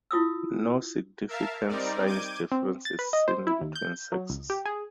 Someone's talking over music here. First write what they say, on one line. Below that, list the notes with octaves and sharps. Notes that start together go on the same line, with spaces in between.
No significant size difference is seen between sexes.
E4 F4 D#6 E6
A#4 E5 F5 A5
G3 C4 D#4 A#4 D5
D6 G6 G#6 D#7
C4
A6
B4
D#5
C5
E4
D#2
G6
F#3
C#2
G4
G#4